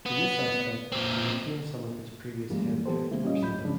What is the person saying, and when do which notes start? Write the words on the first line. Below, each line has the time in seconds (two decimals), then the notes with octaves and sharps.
In this aspect, he retains some of his previous hen-pecked persona.
0.06 B3
0.92 A#2 C4
2.50 F#2 E3 G3 G#3 A#3
2.86 E3 B3 G4 A4 C5
3.11 C#3 G#3 A#3 E4
3.24 G3 C#4 F4 D#5
3.39 D2 A2 F#3 B5 G6
3.65 C#3 F3 G#3 D4